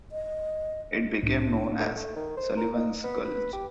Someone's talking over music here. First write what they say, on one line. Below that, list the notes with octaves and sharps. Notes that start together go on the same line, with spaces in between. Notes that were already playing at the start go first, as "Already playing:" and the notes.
It became known as Sullivan's Gulch.
D#5
C2 A2 D4
D2
A3
D#3
C5
A#4
D#4
B3
B4
G4